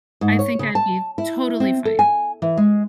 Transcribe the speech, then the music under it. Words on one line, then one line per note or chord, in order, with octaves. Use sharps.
I think I'd be totally fine.
G#2
C#5
C#3
A5
E4
C4
A4
G#5
E3
G#3